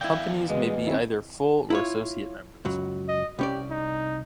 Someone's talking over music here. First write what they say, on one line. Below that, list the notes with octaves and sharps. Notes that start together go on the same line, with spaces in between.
Companies may be either full or associate members.
E2 E4 D5 F5 G5
B2 G#3
D#3 C4 C#4 E4
E4 F4 C#5
C#2 F#2 F#3
D#5
C2 C#4 G4 D5
D#4